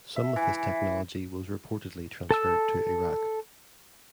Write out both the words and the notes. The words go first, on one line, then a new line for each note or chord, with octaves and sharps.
Some of this technology was reportedly transferred to Iraq.
E5
E3
A4 A5 E6